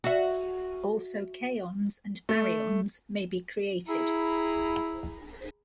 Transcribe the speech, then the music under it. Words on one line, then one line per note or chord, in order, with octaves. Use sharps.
Also kaons and baryons may be created.
F#4 E5
A3
E4 G#4 A#5 B5